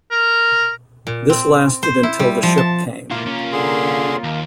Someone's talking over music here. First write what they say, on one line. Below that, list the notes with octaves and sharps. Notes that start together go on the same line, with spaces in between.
This lasted until the ship came.
A#4
A#2
C4
C5
E4
G3
F3
A5
A#2 A#3 E4 F4 A#4
C2 C#4
D3 G#4 C6
D#2